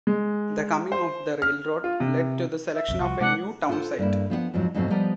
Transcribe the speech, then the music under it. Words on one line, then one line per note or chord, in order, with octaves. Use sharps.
The coming of the railroad led to the selection of a new town site.
G#3
C5
F6
F4
C3
E5
B1 F2
C2 F3 F#4
C3 G#3 C4 D4 F#5
F4 A4 C5 D#5 F#5
G2 A#3 E4
F3 B3 D#5 F#5
F2 G#2 F3 F#3
F2 G#2 B2 F#3 A3 C4
F3 G3 B3 A#4 D5 D#5